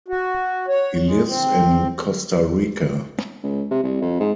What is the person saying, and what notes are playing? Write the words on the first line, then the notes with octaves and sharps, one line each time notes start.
He lives in Costa Rica.
F#4
C#5
G#3
C4
C#2
C3
C2
F2
G#2